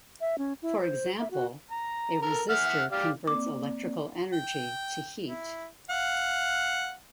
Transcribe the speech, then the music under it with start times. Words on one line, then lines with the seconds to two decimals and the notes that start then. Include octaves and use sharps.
For example, a resistor converts electrical energy to heat.
0.21 E5
0.38 C#4
0.62 E4
0.80 C5
1.19 E5
1.31 F#4
1.71 A#5
2.22 A4 A#4
2.50 E5 F#5 F6
2.92 G4 D5 F5
3.27 A#3 C4 D5 D6
4.33 G5
5.27 E4
5.90 F5 F#5